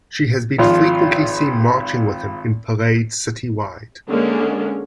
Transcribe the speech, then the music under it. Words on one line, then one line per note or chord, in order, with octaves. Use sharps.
She has been frequently seen marching with him in parades citywide.
G#1 F3 F4
D3 G#3 A#3 C#4